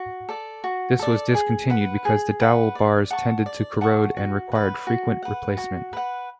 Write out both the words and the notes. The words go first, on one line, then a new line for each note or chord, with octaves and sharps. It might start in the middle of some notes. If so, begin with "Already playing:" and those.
This was discontinued because the dowel bars tended to corrode and required frequent replacement.
Already playing: F#4
A4 D5
F#4
A4 D5
G#4
B4 F#5 B5
G#4
B4 F#5 B5
D5
F#5 A5 C#6
D5
F#5 A5 C#6
F#4
B4 F#5
F#4
B4 F#5
F#4
B4 F#5